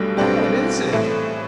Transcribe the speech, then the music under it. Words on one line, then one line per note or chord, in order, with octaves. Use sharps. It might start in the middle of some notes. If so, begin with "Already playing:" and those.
"What is it?"
Already playing: B1 B2 G3 A3 D4
B1 B2 B3 C4 D4 G4
A2 E3 A3